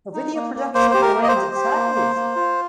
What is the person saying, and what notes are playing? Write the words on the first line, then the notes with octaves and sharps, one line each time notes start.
A video production can range in size.
D#4
A#3
A#3
A#3 C5
G4 C5
A#4
A#3
D#5
C5
G4
G4
A#3
A#3
A#3
F4